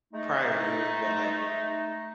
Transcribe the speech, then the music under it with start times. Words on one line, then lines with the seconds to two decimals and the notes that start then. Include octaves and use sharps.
prior years, but, like,
0.13 G#3 A3 D#4